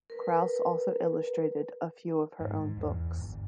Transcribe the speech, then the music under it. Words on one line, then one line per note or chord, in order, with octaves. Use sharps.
Krauss also illustrated a few of her own books.
A#4 B4
G#2
E2
G1